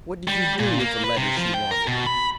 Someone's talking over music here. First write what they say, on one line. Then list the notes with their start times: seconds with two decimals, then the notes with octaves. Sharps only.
"What did you do with the letters she wanted?"
0.28 G3
0.60 A#2
0.79 A#3
1.04 B4
1.17 C3
1.37 F3
1.54 G5
1.71 A#4
1.87 B2
2.07 B5